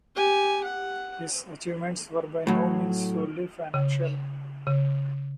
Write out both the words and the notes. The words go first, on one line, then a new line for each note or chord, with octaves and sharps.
His achievements were by no means solely financial.
G4 G#5
F#5
A2 F#3
C#3
C#3